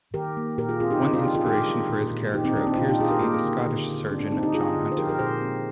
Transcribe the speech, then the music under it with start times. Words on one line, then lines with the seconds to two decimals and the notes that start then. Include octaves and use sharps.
One inspiration for his character appears to be the Scottish surgeon John Hunter.
0.14 D#3 G4 A#4
0.37 A#3
0.58 A#2 G4 A#4
0.69 F4 G#4
0.80 C4 F4 G#4
0.91 D#4 G4
1.02 D3 C4 D#4
1.13 D4 F4
1.24 F3 D#4 G4
1.35 F4 G#4
1.46 G#3 G4 A#4
1.68 D#3
1.90 A#2
2.12 A#2
2.34 D#3 D#4 G4
2.45 C4 D#4
2.57 D#3 D4
2.67 C4 D#4
2.77 A#2 D4 F4
2.89 D#4 G4
3.00 A#2 F4 G#4
3.11 G4 A#4
3.22 A#3 G4 A#4
3.44 D3
3.66 D3
3.88 D3
4.10 C4 D4
4.21 D4
4.31 C4 D#4
4.43 D#4 G4
4.53 D3 F4 G#4
4.76 D3
4.92 C5
4.98 F3 G4 A#4
5.09 G4 A#4
5.19 A#2 G#4 C5
5.42 C4